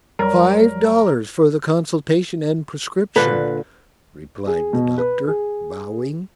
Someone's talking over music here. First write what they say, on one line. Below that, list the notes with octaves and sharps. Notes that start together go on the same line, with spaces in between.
"Five dollars for the consultation and prescription," replied the doctor, bowing.
F2 F#3 G3 A#4 C#5
A#2 D3 B4
G#4
B2
B4
G#4